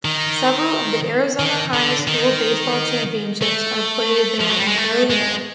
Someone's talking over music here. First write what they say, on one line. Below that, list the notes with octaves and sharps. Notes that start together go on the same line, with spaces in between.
Several of the Arizona high school baseball championships are played there in early May.
D#3
D#3
D3
D#3
A3
F3
F#3
G3
G#3
A3
G#3